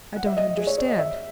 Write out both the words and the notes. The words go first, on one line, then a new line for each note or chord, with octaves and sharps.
"I don't understand."
F#5
E5
D#5
D#5
G#4
C#5
C#5
D#5
E5